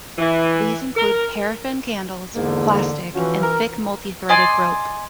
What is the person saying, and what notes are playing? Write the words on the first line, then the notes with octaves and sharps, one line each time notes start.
These include paraffin candles, plastic, and thick multithreaded rope.
E3
A#4
E2 G#2 D3 A#3
E3 F3 C#4 F#4
A#4
D5 D#5 G#5 C6